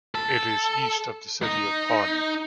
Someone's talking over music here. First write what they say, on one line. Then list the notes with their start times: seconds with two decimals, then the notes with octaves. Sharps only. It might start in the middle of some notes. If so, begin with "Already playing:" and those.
It is east of the city of Pawnee.
0.15 A4
1.43 D#4